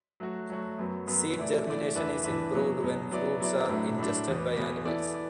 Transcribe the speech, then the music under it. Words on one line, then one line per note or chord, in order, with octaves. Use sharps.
Seed germination is improved when fruits are ingested by animals.
F#3 A3 F#4
F#3 A3 F#4
F#2 F#3 B3
F#2 F#3 B3
E3 A3 E4 D5
E3 A3 E4 D5
E2 E3 D4 B4 E5
E2 E3 D4 B4 E5
B2 F#3 B3
B2 F#3 B3
F#3 B3 E4 D5
F#3 B3 E4 D5
A2 F#3 A3 D4
A2 F#3 A3 D4
E2 B2 B3
E2 B2 B3
E3 B3 E4 A4 D5
D5